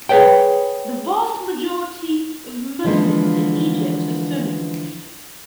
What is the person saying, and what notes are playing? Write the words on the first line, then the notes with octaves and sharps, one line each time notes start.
The vast majority of Muslims in Egypt are Sunni.
G#4 B4 C#5 G5
D3 E3 F3 G#3 A#3